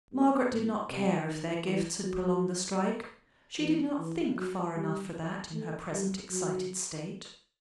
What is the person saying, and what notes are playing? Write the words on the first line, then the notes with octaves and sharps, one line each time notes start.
Margaret did not care if their gifts had prolonged the strike; she did not think far enough for that, in her present excited state.
G2
A2
C3
D#3
E3
F#3
E3
E3
F#3
G3
A3
G3
F#3